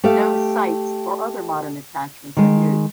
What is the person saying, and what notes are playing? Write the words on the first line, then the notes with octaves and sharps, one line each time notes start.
No sights or other modern attachments are used.
A3 G4 E5 F5
D#3 G#3